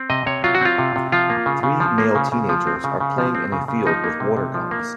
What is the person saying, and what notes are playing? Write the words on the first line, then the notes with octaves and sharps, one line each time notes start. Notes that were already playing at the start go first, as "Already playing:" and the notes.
Three male teenagers are playing in a field with water guns.
Already playing: C4
C3 D#5
C3 C#5
F#3 F4
F#4
C4 F4
C3
C3
F3 F4
A#3
C#3
C#3
F3
A#3
C#3
C#3
F3
C4
C#3
C#3
F3
C4
C#3
C#3
F3 D#4
A#3
C3
C3
F3
A#3